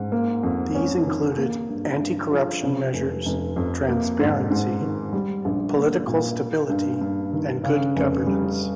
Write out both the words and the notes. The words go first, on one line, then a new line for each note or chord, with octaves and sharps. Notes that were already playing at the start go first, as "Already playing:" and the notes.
These included anti-corruption measures, transparency, political stability and good governance.
Already playing: G#2
A#3
F2
C#4
D#3
A#3
G2
G2
F3
C3
F1
F1
F2
A#3
G#2
G#2
D#3
G3
A#1
A#3
A#2
A#3
G2
G2
D#3
C#3
F1
G3